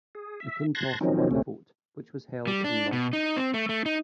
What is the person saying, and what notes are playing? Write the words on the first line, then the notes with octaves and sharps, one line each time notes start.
McIntosh won the vote, which was held in Malton.
G#4
E5
A5 C6 F#6 G#6 A#6
D#3 F3 F#3 C4 C#4 D#4
D2 C3 A3 C4 C#4
G3
D4
B2
D#4
C4
A3
A3
D#4